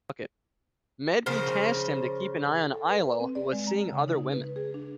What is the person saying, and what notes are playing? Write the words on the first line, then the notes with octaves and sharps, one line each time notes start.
Medb tasked him to keep an eye on Ailill, who was seeing other women.
C#3 F3 A#4 C5
A4
B4
C4
D5
G#3
A#5
C#3
D#4
B4
G#4
D4